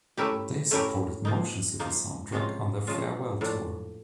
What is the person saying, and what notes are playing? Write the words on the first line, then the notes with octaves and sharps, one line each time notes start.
They supported Motion City Soundtrack on their farewell tour.
A3 C#4 E4 G4 A#4
A3 C#4 E4 G4 A#4
F3 A#3 D#4
F3 A#3 D#4
C3 F3 G#3 C#4 F4
C3 F3 G#3 C#4 F4
A2 F3 A#3 D4